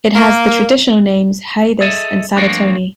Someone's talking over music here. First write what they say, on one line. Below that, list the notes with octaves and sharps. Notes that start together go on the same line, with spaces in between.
It has the traditional names Haedus and Sadatoni.
A#3
G#4 A4 D#5 E5
F3 A3 A#3 C4 D4